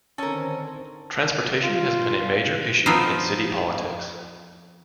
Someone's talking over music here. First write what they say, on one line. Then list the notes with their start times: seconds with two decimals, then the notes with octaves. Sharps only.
Transportation has been a major issue in city politics.
0.18 D3 D#3 C4 C#4 A4 A#4
1.63 F4
2.86 F3 B3 C4 D#4 F4